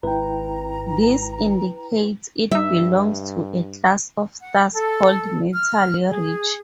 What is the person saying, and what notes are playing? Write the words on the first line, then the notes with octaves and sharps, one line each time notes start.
This indicates it belongs to a class of stars called metal-rich.
G#1 E4 B4 G5 A#5
G2 G3 D#4 E5
F#5
A4
F6
G#4